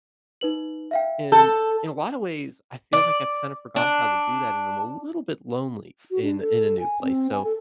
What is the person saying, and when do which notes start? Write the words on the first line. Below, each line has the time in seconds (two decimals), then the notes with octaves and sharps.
and in a lotta ways, I feel like I've kind of forgot how to do that, and I'm a little bit lonely in in a new place, so
0.41 D#4 B4 F#7
0.91 E5 F5 G5
1.32 A4 G6
2.93 D5
3.76 D4
6.11 F#4
6.23 D4
6.41 A4
6.80 G#5
7.02 C4
7.32 G#5
7.44 A4